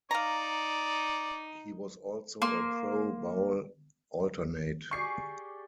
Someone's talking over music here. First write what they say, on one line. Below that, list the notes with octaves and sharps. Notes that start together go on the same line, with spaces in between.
He was also a Pro Bowl alternate.
D#4 D5 F5 A#5
A#3 C6
G4 G#4 D5 C#6 C7